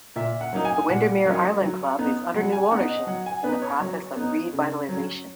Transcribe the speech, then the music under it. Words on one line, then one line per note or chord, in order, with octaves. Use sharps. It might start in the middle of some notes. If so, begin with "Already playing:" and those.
The Windermere Island Club is under new ownership in the process of revitalisation.
A#2 E5
F#5
F#3 A#3 D#4
G#5
A#2 F#5
F#3 A#3 D#4
F#3
B3 D#4
F#3 F#5
G#5
B3 D#4 F#5
D#5
F#3 F#5
G#5
B3 D#4 B4
C#5
F#3
B3 D#4
C#3
F#3 C#4